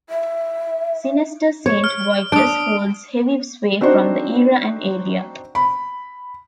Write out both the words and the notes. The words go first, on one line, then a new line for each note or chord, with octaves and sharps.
Zinester Saint Vitus holds heavy sway from the era and area.
E5
C#5
F6
D4 D#6 D7
C4 D4 D#4 F#4 C5
B5